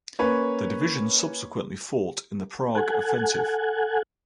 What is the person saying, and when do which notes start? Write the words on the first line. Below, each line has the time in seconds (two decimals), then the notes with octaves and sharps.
The division subsequently fought in the Prague Offensive.
0.19 A#3 C#4 B4 C#5
2.75 A4 F#5 G#5